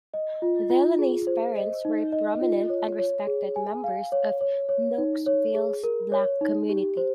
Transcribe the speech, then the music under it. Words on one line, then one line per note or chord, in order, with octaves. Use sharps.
Delaney's parents were prominent and respected members of Knoxville's black community.
D#5
F4
F4
G#4
C5
D#5
D#4
D#5
F4
C#5
C#5
G#4
G#5
F5
C#5
C#5
C#5
D#4
C#5
G#4
A#4
C#5
D#4
G4
C5